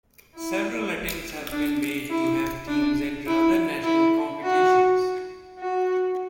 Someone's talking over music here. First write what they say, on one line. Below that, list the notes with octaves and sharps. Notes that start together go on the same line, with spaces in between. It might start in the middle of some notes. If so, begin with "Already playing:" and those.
Several attempts have been made to have teams enter other national competitions.
E4
D4
E4
D4
E4
E4
F#4
F#4